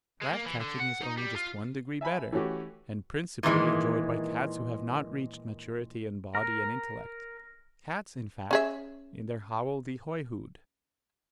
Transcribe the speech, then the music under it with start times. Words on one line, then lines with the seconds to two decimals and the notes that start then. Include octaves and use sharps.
Rat-catching is only just one degree better, and principally enjoyed by cats who have not reached maturity in body and intellect--cats, in fact, in their hobble-de-hoy-hood.
0.22 G#3
0.33 A#3
0.46 E3
0.61 D3
0.80 F#5
1.02 D#4
1.17 G3
1.36 F4
2.01 E5 G#5 A5 B5
2.32 E3 A3 C#4 F#4 G4
3.43 A#2 D#3 E3 G#3
6.35 A#4
8.51 C#4 G#4 E5